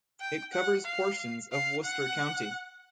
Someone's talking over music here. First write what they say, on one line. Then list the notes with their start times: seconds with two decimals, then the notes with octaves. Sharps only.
It covers portions of Worcester county.
0.20 G5
0.52 F#5
0.85 F5
1.52 F5
1.84 F#5